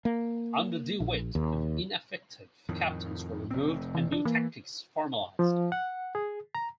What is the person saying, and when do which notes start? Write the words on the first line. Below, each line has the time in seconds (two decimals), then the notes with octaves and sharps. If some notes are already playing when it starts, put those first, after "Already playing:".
Under De Witt, ineffective captains were removed and new tactics formalised.
0.05 A#3
1.00 A#1
1.35 D#2
2.69 F2 A2 D#3
3.51 F1 C4
3.95 E3
4.12 D4
4.25 E3 A#3
5.39 F3
5.72 F#5
6.15 G#4
6.55 A#5